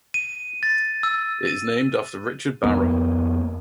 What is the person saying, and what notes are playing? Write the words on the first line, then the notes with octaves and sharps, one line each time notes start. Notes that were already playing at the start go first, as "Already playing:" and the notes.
It is named after Richard Barrer.
D#7
A6
E6
D#7
F2 A#3 B3